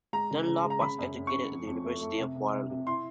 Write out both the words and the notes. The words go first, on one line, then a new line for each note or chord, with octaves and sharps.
Dunlop was educated at the University of Waterloo.
G#3 A#5
C#3
C#3
G#3
A#5
C#3 B5
F#2
F#2
C#6
F#2
F2
F2
A3
A3
C3
C3
C3
C3
E4 C6